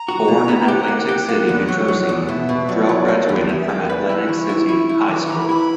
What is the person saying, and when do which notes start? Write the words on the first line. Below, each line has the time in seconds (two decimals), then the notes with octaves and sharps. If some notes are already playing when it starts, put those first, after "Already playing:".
Born in Atlantic City, New Jersey, Drell graduated from Atlantic City High School.
Already playing: A#5
0.08 F#4
0.28 B2
0.49 B3
0.68 G4 F#5
0.88 A#3
1.09 G4
1.29 A#3
1.49 E2
1.69 F#3
1.88 F#3
2.09 E2
2.19 F#5
2.28 B2 E5
2.49 B2
2.69 F#3 D5
2.89 F#3
3.08 A#3
3.29 E2
3.49 E2 E5
3.59 E5
3.69 A#3 G5
3.79 F#5
3.89 B4 D5
4.02 E5
4.09 E4
4.16 F#5
4.29 E3 C#6
4.49 E4
4.69 E4
4.89 E4
5.09 E3 D6
5.23 C#6
5.29 E3 A#5
5.36 B5
5.49 E4 B5